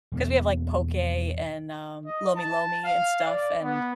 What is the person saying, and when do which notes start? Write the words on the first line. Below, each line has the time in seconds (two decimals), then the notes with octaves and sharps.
'cause we have, like, poke and, um, lomi-lomi and stuff, and
0.12 E2 B2 A#3
2.06 D#5
2.36 A5
2.84 F5
3.26 D5
3.62 B3